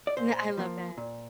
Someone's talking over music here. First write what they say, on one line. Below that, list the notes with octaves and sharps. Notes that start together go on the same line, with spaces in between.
Yeah, I love that.
D5
A#2 C5
F3 A#3
A#2